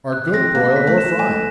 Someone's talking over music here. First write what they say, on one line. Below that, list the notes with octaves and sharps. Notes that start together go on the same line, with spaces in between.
Are good, broiled or fried.
F#6
C4 A#6
A#3 F#6
B6
A3
E7
G#3 G#5